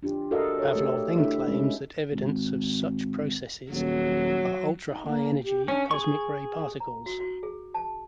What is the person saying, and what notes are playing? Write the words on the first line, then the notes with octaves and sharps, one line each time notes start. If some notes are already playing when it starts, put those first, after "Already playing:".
Pavlov then claims that evidence of such processes are ultra-high-energy cosmic ray particles.
D4 F4 G4
F#4 A4 A#4 D5 D#5 F5
A4 C#5
A3 G4
A3 D4 E4 A4 E5
G#3 C#4
G#1
D#1 F#3
D#4
A#3
G4
C#4 D4
G#4 C#6
A#5
F#4
F#4
G#4
A5